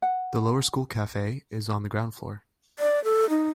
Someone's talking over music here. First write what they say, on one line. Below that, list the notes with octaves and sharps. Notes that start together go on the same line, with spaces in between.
The lower school cafe is on the ground floor.
F#5
D5
A4
D#4